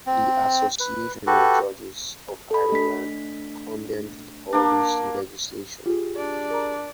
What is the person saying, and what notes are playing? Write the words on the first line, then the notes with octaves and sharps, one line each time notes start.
The Association of Judges of Ireland condemned the Polish legislation.
C4
B4
F#4 G4 A4 B4
A4 B5
A3 D4 B6
A#3 D4
F4 G4 G#4
D4 D5
A#4 A#5